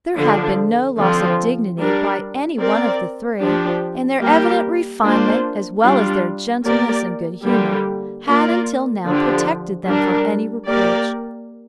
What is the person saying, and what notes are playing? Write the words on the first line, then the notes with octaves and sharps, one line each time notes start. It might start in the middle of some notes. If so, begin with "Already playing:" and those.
There had been no loss of dignity by any one of the three, and their evident refinement, as well as their gentleness and good humor, had until now protected them from any reproach.
D3 F3 D4
D3 F3 C4
G3 D4 A#4
C4 A#4 D5
F3 D4 G4
G3 A#3 G4 A#4
A#3 D4 F4 C5
G3 D4 F4
A#3 G4 A#4 D5
D3 G3 A#3 G4
A#3 F4 A#4 D5
D3 F3 D4 G4
G3 D4 A#4
A#3 G4 A#4 D5